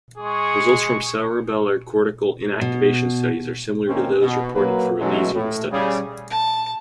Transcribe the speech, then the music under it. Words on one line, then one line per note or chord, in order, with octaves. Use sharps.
Results from cerebellar cortical inactivation studies are similar to those reported for lesion studies.
G#3 G#4 C#6
B2
D2 D#3 A#3 C4 C#4
B2
F#3 A#3 B4
B2 E3 F#3 G#3 A3 C#4
A2
C#3 G3 G#4
A5